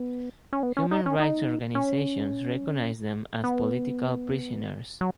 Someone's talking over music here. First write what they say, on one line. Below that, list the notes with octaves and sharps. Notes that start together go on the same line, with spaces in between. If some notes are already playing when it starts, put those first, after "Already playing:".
Human rights organizations recognized them as political prisoners.
Already playing: B3
C#4
B3
C#4
D#4
C#4
D#4
C#4
B3
F#3